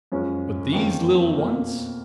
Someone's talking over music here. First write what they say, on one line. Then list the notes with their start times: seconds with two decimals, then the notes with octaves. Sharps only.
But these little ones!
0.12 F#2 F3 G#3 C#4
0.73 F2 D#3 A#3 C#4 G#4
1.34 B2 A#3 F4 A#4